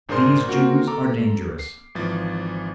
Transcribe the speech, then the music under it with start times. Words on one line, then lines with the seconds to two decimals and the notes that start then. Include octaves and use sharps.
'These Jews are dangerous.
0.09 G#1 D4 G#4 A#4 C5 C6
0.48 A#3 C4 F4 F#4 A#4
0.87 A4 A#5 D6
1.59 C7
1.95 G#1 E3 F3 A6